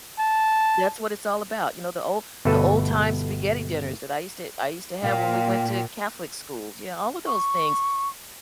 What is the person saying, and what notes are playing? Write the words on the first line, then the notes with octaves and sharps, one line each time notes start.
that's what it's all about, you know, the old the old time spaghetti dinners that I used to I used to have when we went to Catholic schools, you know, all of those things,
A5
G1 B2 A3 A4 B4 A5
A#2 F5 G5
C#6